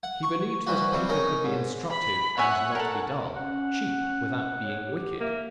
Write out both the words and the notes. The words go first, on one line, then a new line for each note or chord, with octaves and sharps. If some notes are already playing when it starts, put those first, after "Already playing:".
He believed that a paper could be instructive and not be dull, cheap without being wicked.
F#5
C#6
E3 F3 G3 F#4
C3 G3 C4
C#4 D#4 A#4 D#5
G#2
B5
C#5 E5 F#5 G#5
A4 A#4
C#4 F#5
C#5
G4
A#3 E5